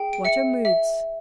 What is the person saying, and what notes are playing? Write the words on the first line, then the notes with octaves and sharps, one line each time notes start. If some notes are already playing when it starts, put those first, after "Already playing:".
What are moods?
Already playing: G#4 G5
D7
E5 C#7
E5